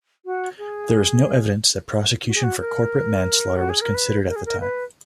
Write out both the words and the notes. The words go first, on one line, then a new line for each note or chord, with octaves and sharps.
There is no evidence that prosecution for corporate manslaughter was considered at the time.
F#4
G#4
F#4
G#4
F#4
A#4
F#4
G#4
A#4
B4
A#4
G#4
A#4
B4